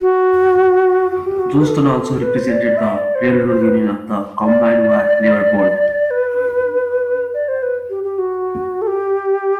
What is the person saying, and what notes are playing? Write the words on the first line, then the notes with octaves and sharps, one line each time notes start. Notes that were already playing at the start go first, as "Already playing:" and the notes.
Johnston also represented the railroad union of the Combined War Labor Board.
F#4
F#4
G4
F#4
G4
B4
A4
B4
C5
D5
D5
E5
D5
C5
B4
C5
B4
D5
B4
D5
C5
B4
G4
G4
F#4
A4
G4